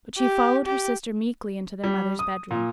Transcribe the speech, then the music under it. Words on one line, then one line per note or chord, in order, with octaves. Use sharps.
But she followed her sister meekly into their mother's bedroom.
G4
G4
G3
D#6
A#2